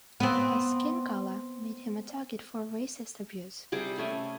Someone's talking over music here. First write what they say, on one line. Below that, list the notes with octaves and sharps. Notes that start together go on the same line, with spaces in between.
His skin color made him a target for racist abuse.
B3 C4
C3 G3 G#4 D6
A3 C#4 E5 G#5